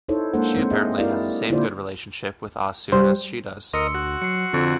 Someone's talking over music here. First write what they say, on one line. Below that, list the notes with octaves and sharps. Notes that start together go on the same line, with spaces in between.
She apparently has the same good relationship with Ah Soon as she does.
D#4 E4 A4 C5 C#5
G#3 A#3 D4 A4 C5 F#5
G#3 C4 C5
G#4 D#5 E5
E4 F#4 G4 A#4 D5 F5
D3 A#3 E4 F4 C5 D5
G3 C5
D2 A#4 D#5 C6 E6 C#7
F#4
F#3 C7 C#7
F2 D3